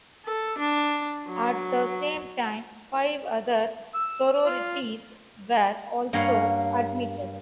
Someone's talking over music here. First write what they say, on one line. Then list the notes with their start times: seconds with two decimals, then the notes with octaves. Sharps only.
At the same time, five other sororities were also admitted.
0.25 A4
0.58 D4
1.28 F#3
3.94 E6
4.45 F4
6.13 G2 A#3 C#5 F5 F#5